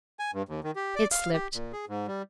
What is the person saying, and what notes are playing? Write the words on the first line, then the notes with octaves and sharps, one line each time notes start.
'It slipped.
G#5
G2
D#2
D#3
G4
D5
F5
G4
A#2
G#4
G#2
G3